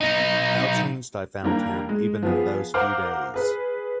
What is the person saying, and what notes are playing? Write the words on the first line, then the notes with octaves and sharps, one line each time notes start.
How changed I found him, even in those few days!
B1 D#4
D#3 G3 A#3 D4
G#3
F3 B3 G#4
A#4 C5 F5 F#5 D6 F6
G#4 B4